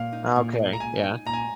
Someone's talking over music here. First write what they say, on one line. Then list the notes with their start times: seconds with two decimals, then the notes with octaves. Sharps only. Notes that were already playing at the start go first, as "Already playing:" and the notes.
Okay. Yeah.
Already playing: A#2 F5
0.13 D#4
0.36 A#2
0.58 G#3
0.73 A#5
0.80 A#2 G#5
1.03 D#4
1.25 A#2 A#5
1.33 G#5